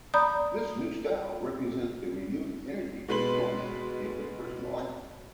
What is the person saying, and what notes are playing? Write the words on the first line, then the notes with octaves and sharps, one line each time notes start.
This new style represents the renewed energy and romance within his personal life.
D5 A#5 B5 D#6 G6
B2 G#3 B4 C6 F#7